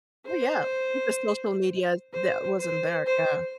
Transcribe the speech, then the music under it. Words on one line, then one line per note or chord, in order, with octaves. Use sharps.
Oh, yeah. The social media that wasn't there, yeah.
C5
C5
C5
C5